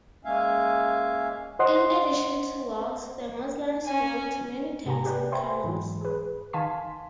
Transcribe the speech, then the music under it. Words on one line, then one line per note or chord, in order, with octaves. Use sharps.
In addition to wells, the Muslims built many tanks and canals.
G#3 A#3 C#4 E5 F5 G#5
C5 D#5 F#5 C6
C#4 G#5
G#2 C3 G4 G#5 A#5
G4 B4 D5 G5
C5 E5 G5 G#5 B5 C6
G#2 E3 F#3
G#4 B4
D#3 F5 G#5 A5 C6 B6